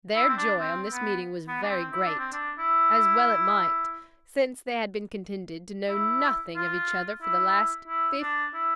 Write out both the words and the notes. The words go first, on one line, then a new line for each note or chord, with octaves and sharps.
Their joy on this meeting was very great, as well it might, since they had been contented to know nothing of each other for the last fifteen years.
E4
C4
D4
C4
B3
B3
D4
C4
E4
D4
C4
D4
E4
E4
F4
E4
E4
D4
E4